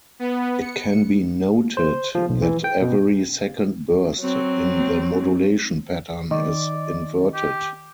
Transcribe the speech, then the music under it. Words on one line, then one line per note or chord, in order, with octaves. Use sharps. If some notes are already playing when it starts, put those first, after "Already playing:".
It can be noted that every second burst in the modulation pattern is inverted.
B3
C#7
C5
F3
B1
E3
G5
B2
F#3 C4
D#3 D5
G4